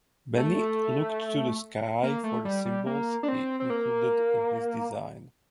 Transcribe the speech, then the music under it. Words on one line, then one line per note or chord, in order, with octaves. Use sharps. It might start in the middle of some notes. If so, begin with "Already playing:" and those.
Benny looked to the sky for the symbols he included in his design.
A3
A#3
A3
G3
G3
A#3
D4
C4
C4
A#3